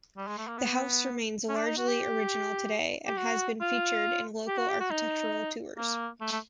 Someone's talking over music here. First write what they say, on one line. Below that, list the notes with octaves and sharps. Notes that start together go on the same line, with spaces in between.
The house remains largely original today and has been featured in local architectural tours.
G3
G#3
A3
A#3
B3
C#4
D4
D#4
F#4
G4
G4
F#4
F4
G4
F#4
G4
F#4
D#4
A#3
A3
A3